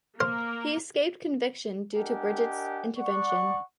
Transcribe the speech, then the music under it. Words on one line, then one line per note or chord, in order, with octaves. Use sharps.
He escaped conviction due to Bridget's intervention.
A#3 A#4 C5 F6
D4 G4 A#4 D#5 F#5 G#5
D5 F#5 C#6